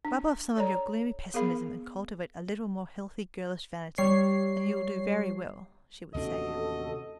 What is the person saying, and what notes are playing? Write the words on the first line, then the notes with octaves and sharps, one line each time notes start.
"Rub off some of your gloomy pessimism and cultivate a little more healthy girlish vanity, and you will do very well," she would say.
D4
A4 C#5 D5 A#5
B3 G#4 A#4 F5 B5
G3 C#5 C7
A1 D#2 C3 D4 F#4 A4 D#5